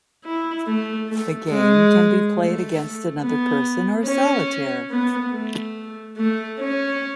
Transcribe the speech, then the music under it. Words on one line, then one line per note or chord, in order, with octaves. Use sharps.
The game can be played against another person or solitaire.
E4
A3
A3
G#3
A3
B3
C#4
B3
A3
A3
C#4